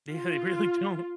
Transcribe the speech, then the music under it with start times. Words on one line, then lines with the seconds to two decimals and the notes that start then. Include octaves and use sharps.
Yeah, they really don't.
0.11 F4